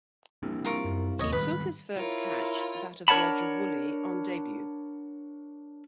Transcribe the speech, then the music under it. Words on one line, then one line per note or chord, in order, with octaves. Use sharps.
His took his first catch, that of Roger Woolley on debut.
C2 A#3 C4 D4
F4 A#4 C#6
F#2
A1 D#2 C#5 D#5
G#2 D#3 G3 B4
E4 F4 A#4 C#5
D4 A#4 C#5 F#5 A5 B5